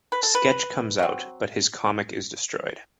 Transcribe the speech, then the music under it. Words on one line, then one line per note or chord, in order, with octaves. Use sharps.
Sketch comes out, but his comic is destroyed.
B4
A4
B4
F#3 C4